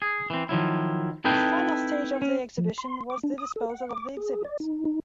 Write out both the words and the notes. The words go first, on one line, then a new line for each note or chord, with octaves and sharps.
The final stage of the Exhibition was the disposal of the exhibits.
G#4
E3 C4
D#3 F3 F#3 E4
C4 D#4 E4 A4 B4 G5
C#4
F3
C6
D6
D4
D#6
A4
F#5
D6
G#4
D5
D#4
D#4